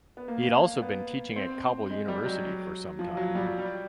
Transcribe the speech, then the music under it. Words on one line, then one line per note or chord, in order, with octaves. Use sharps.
He has also been teaching at Kabul University for some time.
B3
A#3
B3
C4
G#3
G3
F#3
F3
F#3
G3
F#3
G3